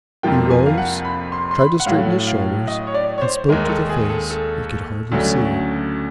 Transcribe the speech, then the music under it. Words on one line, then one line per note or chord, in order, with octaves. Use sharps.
He rose, tried to straighten his shoulders, and spoke to the face he could hardly see.
F2 C3 F3 A#3 G5
G#5
F5
F#5
B5
C6
C6
B5
F#5
A2 F#3 A3 F5
F5
D#5
C#5
D5
C#5
C5
D#2 D#3 G#3 A#4
A#4
A4
G#4
A4
A4
D2 C#3 F#3 A3 D4